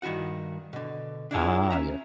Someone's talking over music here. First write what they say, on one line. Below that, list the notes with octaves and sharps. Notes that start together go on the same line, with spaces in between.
Ah, yeah.
G2 D#3 E4 F#4 F#5
B2 D3
D4 E4 F4 G#4
C#4 E5 A#5